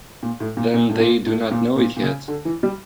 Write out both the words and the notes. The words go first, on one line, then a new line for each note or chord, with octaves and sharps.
Then they do not know it yet?
A#2
A2
A#2
A#2
A2
A#2
A2
A#2
A#2
A#2
C#3
D3
E3
G3